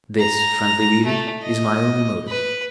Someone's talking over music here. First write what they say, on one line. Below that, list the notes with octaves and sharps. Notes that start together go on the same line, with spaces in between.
This, friendly reader, is my only motive.
A#5
A3
D#5
B4